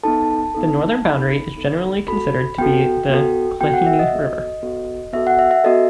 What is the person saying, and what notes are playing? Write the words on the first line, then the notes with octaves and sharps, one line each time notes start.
The northern boundary is generally considered to be the Klehini River.
B3 D#4 A4 A5
B3 D#4 A4
B3 D#4 A4 B5
B3 D#4 A4
B3 F#4 A4 B5
B3 F#4 A4 G5
B3 F#4 A4
B3 F#4 A4 G5
F#5
E5
D#5
B3 F#4 A4
B3 F#4 A4
B3 F#4 A4 E5
F#5
E5
E5
B3 F#4 A4 D#5